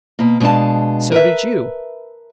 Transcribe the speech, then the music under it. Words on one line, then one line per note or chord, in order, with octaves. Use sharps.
So did you.
B2 A#3
B2 G#3 D4 F5 A5
A#4 B4 E5